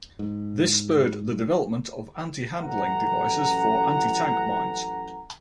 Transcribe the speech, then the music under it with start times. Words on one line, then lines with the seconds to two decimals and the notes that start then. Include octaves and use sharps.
This spurred the development of anti-handling devices for anti-tank mines.
0.19 G#2
2.60 A1 F#2 A2 F#5 A#5